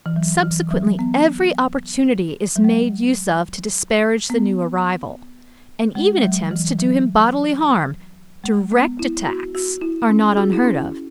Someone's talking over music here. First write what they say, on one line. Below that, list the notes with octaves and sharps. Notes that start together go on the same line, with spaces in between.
Subsequently every opportunity is made use of to disparage the new arrival, and even attempts to do him bodily harm, direct attacks, are not unheard of.
E3
F#3
E3
F#3
B3
F#3
G#3
B3
G#3
G#3
F#3
E3
F#3
G#3
B3
E4
F#4
F#4
E4
C#4
G#4
F#4
E4
C#4